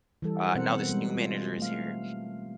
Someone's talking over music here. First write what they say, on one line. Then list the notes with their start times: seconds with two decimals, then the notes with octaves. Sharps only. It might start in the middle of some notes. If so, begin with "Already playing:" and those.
uh, now this new manager is here,
0.22 E3 G3 A4
0.55 B2 B3 C4 A#4 C5 F#5
0.89 G3 G#3
1.15 F4
1.58 A3 F5